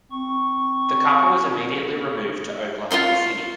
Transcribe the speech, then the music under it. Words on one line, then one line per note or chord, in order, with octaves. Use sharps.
The couple was immediately removed to Oklahoma City.
C4 C#6
F4 C#5 C6 C#6